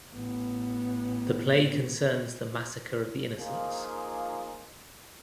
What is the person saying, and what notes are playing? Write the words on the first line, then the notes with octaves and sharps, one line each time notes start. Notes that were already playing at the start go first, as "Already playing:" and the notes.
The play concerns the massacre of the innocents.
A1 B3
F3 A#3 D#4 F4 G#4